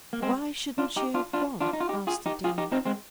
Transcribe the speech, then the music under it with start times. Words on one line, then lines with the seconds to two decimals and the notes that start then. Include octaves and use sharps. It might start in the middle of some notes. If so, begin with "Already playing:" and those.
"Why shouldn't she have gone?" asked the Dean.
0.13 A#3
0.22 G#3 C4
0.78 D4 F4
0.96 D#4 G4
1.14 D4 F4
1.33 D4 F4
1.61 D4 F4
1.73 D#4
1.80 F4
1.89 D#4 G4
2.07 F4 G#4
2.26 D#4 G4
2.44 F4 G#4
2.58 D#4 G4
2.72 C4 D#4
2.85 G#3 C4